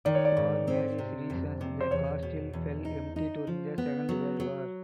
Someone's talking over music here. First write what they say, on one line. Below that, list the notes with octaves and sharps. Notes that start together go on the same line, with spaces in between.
For various reasons the castle fell empty during the Second World War.
D#3 D5
C#5
D5
G#2
C4
C3
F2
C3
C5
E2 C#5
B2
E2
D#4
D#4
F3
B3
F#3
F#3